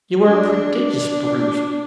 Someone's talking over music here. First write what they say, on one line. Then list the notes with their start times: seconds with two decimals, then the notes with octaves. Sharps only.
You are a prodigious brute.
0.24 D4
0.86 D4